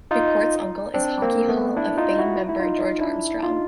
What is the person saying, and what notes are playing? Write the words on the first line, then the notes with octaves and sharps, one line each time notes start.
McCourt's uncle is Hockey Hall of Fame member George Armstrong.
D#4 F4
C4 D4
A#3 C4
A3 B3
D4 E4
D#4 F4
E4 F#4
E4
D#4 F4
D4 E4
D#4 F4